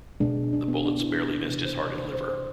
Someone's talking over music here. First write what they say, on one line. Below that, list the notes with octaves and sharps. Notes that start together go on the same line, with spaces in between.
The bullets barely missed his heart and liver.
B2 G#3 D4
D4
B3
D4
E4
G#4
A4
C3 E3 G#3 B4
C5
D5
C5
C5
C5